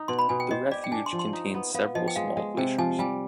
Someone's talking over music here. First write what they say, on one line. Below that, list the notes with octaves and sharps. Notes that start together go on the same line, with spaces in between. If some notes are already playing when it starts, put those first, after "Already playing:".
The refuge contains several small glaciers.
Already playing: D#4
B2 C6
B5
B2 G#5
G5
C5 D#5
G4 D5
G5
D4 G#5
C6
F3
C6
D#4
B3
B3 F5
F3 D#5
G5
G#3 F5
G#3
C3 G5
F3 G#5
G3 G#5